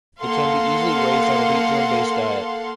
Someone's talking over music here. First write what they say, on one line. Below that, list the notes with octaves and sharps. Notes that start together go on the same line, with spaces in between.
It can be easily raised on a wheat-germ-based diet.
A#3 A4 F5 F#5 C6